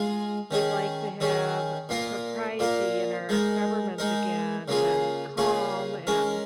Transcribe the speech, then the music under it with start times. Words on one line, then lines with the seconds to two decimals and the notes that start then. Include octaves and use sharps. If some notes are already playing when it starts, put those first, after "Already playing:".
we'd like to have propriety in our government again, and calm and
Already playing: G#3 F4 G#4
0.51 D#3 C#4 G#4
1.21 D#3 C#4 G#4
1.89 A#2 A#3 F4 A#4
2.59 A#2 A#3 F4 A#4
3.29 G#3 D#4 A#4
3.98 G#3 D#4 A#4
4.68 C#3 A#3 F4 G#4
5.37 C#3 A#3 F4 G#4
6.07 G#3 C#4 A#4